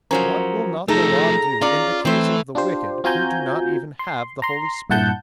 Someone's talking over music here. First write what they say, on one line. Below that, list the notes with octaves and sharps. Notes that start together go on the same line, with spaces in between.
What will not the Law do in the case of the wicked who do not even have the Holy Spirit?
F3 F#3 C#4 A#4 C5 A#5
F3 A3 D#4 G#4 A4 A#5
C#4 F4 D5
E3 A3 C4 C5
D4 F4 G4 C5
C4 F4 F#4 G#5 A#5 G6
C6
A#5 C6
G2 A#2 E4 F#5 A5 G6